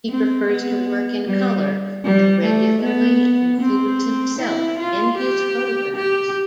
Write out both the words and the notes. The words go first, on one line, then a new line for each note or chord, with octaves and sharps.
He prefers to work in color, and regularly includes himself in his photographs.
C4
B3
G3
G3
A3
B3
C4
E4
F4
G4
G4